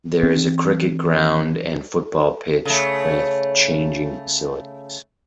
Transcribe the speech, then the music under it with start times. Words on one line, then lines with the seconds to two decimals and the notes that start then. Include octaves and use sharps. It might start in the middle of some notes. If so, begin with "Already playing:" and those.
There is a cricket ground and football pitch with changing facilities.
0.23 E3 C4
2.65 C#3 A3